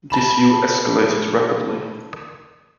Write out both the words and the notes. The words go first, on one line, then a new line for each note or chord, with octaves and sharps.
This view escalated rapidly.
A5 B5 E7